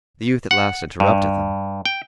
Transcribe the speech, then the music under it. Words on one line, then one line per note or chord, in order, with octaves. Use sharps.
The youth at last interrupted them.
F#5
G2
G5